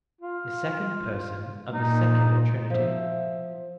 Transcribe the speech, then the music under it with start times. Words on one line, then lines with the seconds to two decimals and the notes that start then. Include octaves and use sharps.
The Second Person of the secular Trinity.
0.21 F4
1.73 A#2 D#4
2.70 F3 E5